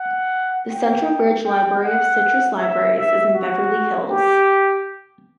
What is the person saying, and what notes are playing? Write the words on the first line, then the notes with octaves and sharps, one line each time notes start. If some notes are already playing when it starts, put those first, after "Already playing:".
The Central Ridge Library of Citrus Libraries is in Beverly Hills.
Already playing: F#5
G5
G5
F#5
E5
E5
F#4
G4